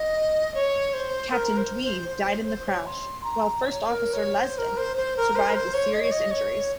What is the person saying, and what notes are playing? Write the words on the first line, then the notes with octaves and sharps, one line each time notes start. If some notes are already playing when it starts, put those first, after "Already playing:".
Captain Dwi died in the crash while First Officer Lesdek survived with serious injuries.
Already playing: D#5
C#5
C5
A#4
C5
C5
C5
C5
C5
C#5
C6
A#5
C#5
A#4
C#5
C5
A#4
C5
C5
A#4
C5
A#4
C5
C#5
D#5
C#5
D#5
C#5